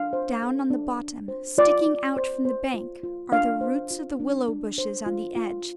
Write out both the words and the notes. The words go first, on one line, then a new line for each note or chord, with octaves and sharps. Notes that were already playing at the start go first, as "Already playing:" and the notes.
Down on the bottom, sticking out from the bank, are the roots of the willow-bushes on the edge.
Already playing: D4 F5
C5
A4
D4
D4
C5
F4 D5
F4
C5
C5
F4
F4
D4 F5
C5
F4
D4
D4
C5
F4
F4